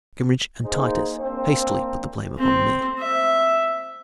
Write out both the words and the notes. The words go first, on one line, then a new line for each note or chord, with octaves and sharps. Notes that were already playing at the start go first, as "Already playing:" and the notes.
Breckenridge and Titus hastily put the blame upon me.
A#3 D#4 G#4 C5
A#3 C4 D4 C5
C4
E5